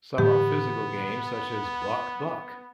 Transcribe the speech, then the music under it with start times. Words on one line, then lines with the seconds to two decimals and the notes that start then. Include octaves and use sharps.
Some are physical games such as Buck buck.
0.18 A2 D3 E3 B3 G4